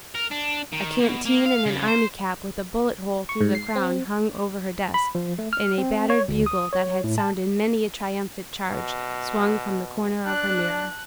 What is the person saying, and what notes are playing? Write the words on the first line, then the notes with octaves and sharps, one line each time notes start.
A canteen and an army cap with a bullet-hole through the crown, hung over her desk, and a battered bugle, that had sounded many a triumphant charge, swung from the corner of her mirror.
A#4
D4
D#3
B2
A#3
F5
C#3
C5
C#6
G#2
C7
C4
B5
F3
A3
F6
C4
C#5
D2
D#6
C#5
A2
A5
B2
D4 A5 F#6